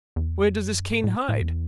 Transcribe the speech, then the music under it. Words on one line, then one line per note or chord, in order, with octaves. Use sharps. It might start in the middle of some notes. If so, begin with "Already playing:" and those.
Where does this Kane hide?
E2
F2
F#2
G#2
A2
A2
E2